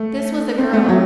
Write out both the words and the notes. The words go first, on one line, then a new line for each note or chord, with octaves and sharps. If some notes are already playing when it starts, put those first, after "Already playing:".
This was a girl.
Already playing: A3
C4
A3
F#3